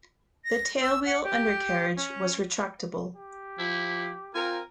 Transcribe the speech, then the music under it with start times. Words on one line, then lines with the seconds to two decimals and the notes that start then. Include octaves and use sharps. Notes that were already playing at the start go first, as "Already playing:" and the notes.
The tailwheel undercarriage was retractable.
0.45 A#6
0.81 E6
1.05 F#5
1.24 G4
1.96 C#4
3.16 G4
3.59 F3 E4
4.35 C4 F4 A#4 G#5